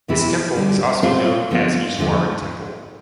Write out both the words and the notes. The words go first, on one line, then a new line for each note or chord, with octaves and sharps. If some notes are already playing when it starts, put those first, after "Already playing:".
This temple is also known Easwaran Temple.
E2 C3 E3 B3 E4
D3 G3 D4
B2 A3 C4 F4
D3 F3 B3 F4
E2 D3 F3 A3